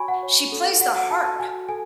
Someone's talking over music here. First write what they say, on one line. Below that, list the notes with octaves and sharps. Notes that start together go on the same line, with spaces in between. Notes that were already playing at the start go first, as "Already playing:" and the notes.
She plays the harp
Already playing: F#4 C#5 G#5 B5 C#6
F#5
C#5
A4
F#4 F#5
F#5
F#4 A5
A5
F#4 G#5
A4 G#5